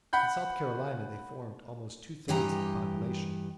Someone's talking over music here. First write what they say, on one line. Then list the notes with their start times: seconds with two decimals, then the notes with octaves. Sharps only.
In South Carolina they formed almost two-thirds of the population.
0.13 F#5 B5 G6
2.28 G2 E3 G4 D#5 A#5